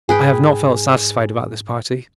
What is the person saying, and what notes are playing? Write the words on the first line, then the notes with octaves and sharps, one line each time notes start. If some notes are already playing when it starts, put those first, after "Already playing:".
I have not felt satisfied about this party.
G#2 G#4 B4 G5